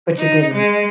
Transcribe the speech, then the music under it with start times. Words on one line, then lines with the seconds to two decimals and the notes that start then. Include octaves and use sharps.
But you didn't.
0.18 D#4
0.54 G#3